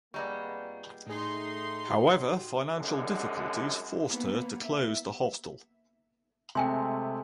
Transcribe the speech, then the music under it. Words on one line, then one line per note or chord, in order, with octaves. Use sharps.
However financial difficulties forced her to close the hostel.
F2 G3 G#3 A#3 B3 D5 A#5 C#6
A2 A3 D#4 G#4 C6
F#4 G4
C2 F#2 D3 G#3
A#3 B3
E5
C3 G#3 A3 G5 G#5 C6